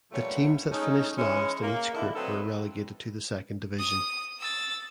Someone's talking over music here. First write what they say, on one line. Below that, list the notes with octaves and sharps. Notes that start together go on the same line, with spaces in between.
The teams that finished last in each group were relegated to the second division.
A#2 F3 G3 A3 B3 C#5
G#3 A3 C#4 D#4
E3 G#3 C#4 E4 G#4 C#5
A#3
D3 D#3 E4
F#3 A3 C4 D#4 A4 B4
D#6
E6 A6